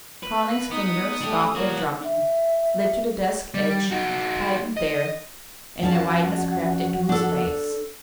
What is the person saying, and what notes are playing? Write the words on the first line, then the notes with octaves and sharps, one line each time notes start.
Carling's fingers stopped their drumming, slid to the desk edge, tightened there, and a whiteness crept into his face.
B4
B3 D#4 D#6
A3 D4 G4
F3 A#3 F#4 C#5
E5
G3
D#4 F#4
D#5
F2 C#4 F#4 D5 A5
D4 A4